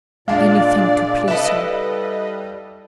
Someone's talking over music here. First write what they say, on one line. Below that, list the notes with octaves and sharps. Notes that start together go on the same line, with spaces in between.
Anything to please her!
A#2 G#3 D4 D5 F5
G3 E4 A4 B4 D#5